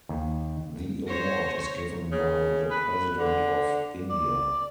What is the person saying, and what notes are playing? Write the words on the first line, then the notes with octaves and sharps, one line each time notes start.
The award is given by the President of India.
D#2
C5 C#5 A#6
C#3
B4
D3
D5